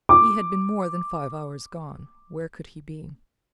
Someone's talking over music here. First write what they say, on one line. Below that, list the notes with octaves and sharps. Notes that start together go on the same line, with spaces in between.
He had been more than five hours gone: where could he be?
D6